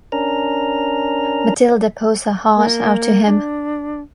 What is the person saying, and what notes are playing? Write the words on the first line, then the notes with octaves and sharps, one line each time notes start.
Mathilde pours her heart out to him.
C#4 D4 A#4 A#5
A#3
D4